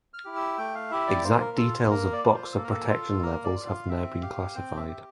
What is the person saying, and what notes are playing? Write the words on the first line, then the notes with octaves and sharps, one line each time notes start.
Exact details of Boxer protection levels have now been classified.
F6
E4 G4
E6
A3 G5
F5
E4 G4 E5
D5
A#3 C5
A#4
F4 A4
A#3 A#4
D5
F4
C5
A#3 A4
A#4
A4
F4 A4
A#3 A#4
D5
F4
F5
C4 E5
G4 F5
C4 G5
E5
G4